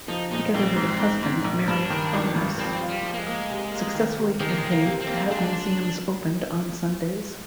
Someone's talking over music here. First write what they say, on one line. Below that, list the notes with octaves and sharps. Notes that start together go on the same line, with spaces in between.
Together with her husband, Mary Haweis successfully campaigned to have museums opened on Sundays.
F3 D#4
A#2 D#4
A#1 C4
G#2
G#2
G#2
A#1
G2 D4
D#3
G#1
G2
F3 C4
F4
G3
F3
A#3
G#3
A#3
C3
A#3
D#3
C3
D#3 G#3
A#3
G#3
D#3
A#3
C3
C4
A#3
G#3 D4